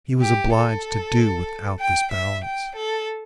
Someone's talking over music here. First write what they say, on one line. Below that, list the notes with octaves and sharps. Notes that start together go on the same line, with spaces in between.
He was obliged to do without this balance.
G4
A4
G5
E5
G5
A4